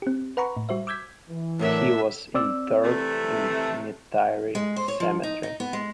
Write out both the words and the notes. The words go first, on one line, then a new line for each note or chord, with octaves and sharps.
He was interred in Metairie Cemetery.
C4 G4
B4 F#5 A#5 B5 C#6
A2
G3 F#4 C5 E5
D6 E6 G6 G#6 B6
E3
A2 F#3 D4 A#4 E5
C4 D5 E6
C3 E3 A3
G#3
C5
C#5
F3
D#4
D#4
B3
G#3